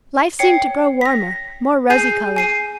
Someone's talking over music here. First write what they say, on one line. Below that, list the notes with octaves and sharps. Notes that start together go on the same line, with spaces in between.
Life seemed to grow warmer, more rosy colored.
C#5 G5 C7 C#7
A#6 B6
G#4 G#5 G6 C7 D#7
G#5 C7 D#7